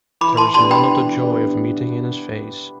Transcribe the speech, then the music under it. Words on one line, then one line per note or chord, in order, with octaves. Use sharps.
There was none of the joy of meeting in his face.
E3 B5 D6
A5 C6
B3 D4 G4 A5 C6
G5 B5
E3
B3 D4 G4